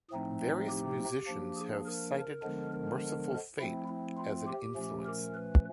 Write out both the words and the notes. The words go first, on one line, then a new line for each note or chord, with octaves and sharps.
Various musicians have cited Mercyful Fate as an influence.
A2 F3 A3 C4 D#4
G4
F3 A#3 D4
G#4
A#4
D3 F3 G#3 B3 D4
A#4
F3 A3 C4 E4
E4
F4
G4
A#2 F3 A3 C#4
A#4
B4